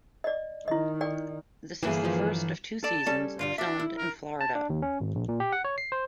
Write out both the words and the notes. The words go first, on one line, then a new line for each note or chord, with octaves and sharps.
This is the first of two seasons filmed in Florida.
D5 D#5
D#3 E4 D#5
D5 G5
G1 E3 A#3 E4 G#4
E3 F3
A4 D5 A5
G3 C#4 A4
G2 D3 G3 F4
D4 F#4 E5
E4
A#4
A5
D4
D#2
C#4
G#1
A#1
A#2
G4
F#5
C#5
C7
C5